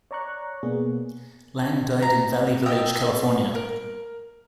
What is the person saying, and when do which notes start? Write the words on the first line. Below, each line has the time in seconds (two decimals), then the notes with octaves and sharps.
Lang died in Valley Village, California.
0.11 C#5 D5 A#5 C#6 F#6
0.63 B2 A#3 B3 G#4
2.02 A#5
2.66 D#5 G5 D#6 E6
3.55 A#4